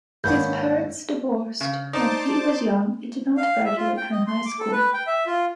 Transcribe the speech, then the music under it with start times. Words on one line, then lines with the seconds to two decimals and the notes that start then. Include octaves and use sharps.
His parents divorced when he was young and did not graduate from high school.
0.24 D#2 G#2 B3 C#5 B5 G6
1.61 C#3
1.93 D#4 C5 D5 A5 D6
3.38 F5
3.65 E5
3.77 F4
3.97 G5
4.11 D#5
4.27 C6
4.46 D6
4.59 A4
4.72 B4
4.94 G5
5.07 E5
5.27 F4